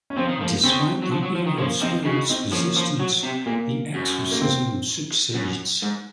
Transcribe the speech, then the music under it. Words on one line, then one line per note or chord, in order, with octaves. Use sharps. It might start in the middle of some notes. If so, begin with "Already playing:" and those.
Despite the evil spirit's resistance, the exorcism succeeds.
C#4
F3 C4
D#3
F3 A#3
C#3 C4
F#3
F3
F#3
F3
D#3
F3 A#3 C#4
F3 C4 D#4
C#3 D#4 F#4
C4 D#4
F3 A#3 C#4
F3
F#3
C3
A#2 A#3
F#2
A#3
C4
F#2
G#2